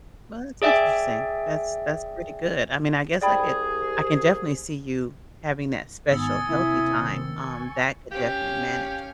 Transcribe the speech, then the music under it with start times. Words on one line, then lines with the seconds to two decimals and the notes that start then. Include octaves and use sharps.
Well, that's interesting. That's that's pretty good. I mean, I guess I could I can definitely see you having that special healthy time, um, that could definitely manage,
0.62 G#4 D5 E5 G5 G#5
3.21 C2 G#4 D5 G5 B5
6.11 G#2 D#3 B3 G#5 D#6 E6 A6 C#7
6.49 C3 A#3 C4 E4
7.00 D#3
7.38 G#5 C#6
8.11 C#4 G4 F5